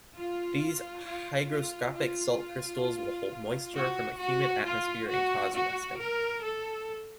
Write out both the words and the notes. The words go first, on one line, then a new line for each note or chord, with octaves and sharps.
These hygroscopic salt crystals will hold moisture from a humid atmosphere and cause rusting.
F4
F4
F4
F4
F#4
F#4
F4
F#4
F#4
A#4
A4